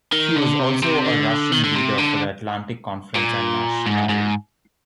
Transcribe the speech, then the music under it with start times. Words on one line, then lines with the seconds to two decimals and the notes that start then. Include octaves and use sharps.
He was also a rushing leader for the Atlantic conference and nationally.
0.12 D#3
0.36 D3
0.59 C3
0.83 C3
1.06 D3
1.52 D#3
1.64 D3
1.76 C3
1.98 D3
3.16 A#2
3.86 G#2
4.09 G#2